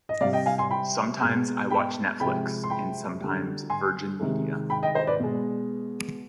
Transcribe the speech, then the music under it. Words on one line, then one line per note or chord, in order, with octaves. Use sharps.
Sometimes I watch Netflix, and sometimes Virgin Media.
D#5
C3 G3 D5 F5
D#5 G5
F5 G#5
G#5 C6
G5 B5
B2 G#3
G5 B5
C3 F3 G#3 G5 B5
C6
G5 B5
D3 G3
G#5 C6
C3 D#3 G#3
G5 B5
D#5 G5
C5 D#5
B4 D5
B2 G#3